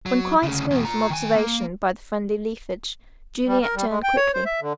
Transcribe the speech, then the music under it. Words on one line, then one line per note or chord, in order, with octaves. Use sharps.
When quite screened from observation by the friendly leafage, Juliet turned quickly.
F#3
D2 C#3
E2 B2
F4 A#5
D#3 G#5
A#3
G3
A#4
G3
G#3
G5
C#5
C5
E5
D3